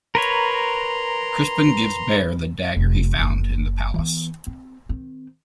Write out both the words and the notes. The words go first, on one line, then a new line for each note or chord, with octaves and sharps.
Crispin gives Bear the dagger he found in the palace.
A#4 B4 C#5 A#5 C6
F1
F#1
E3 B3
C4
D#3 C4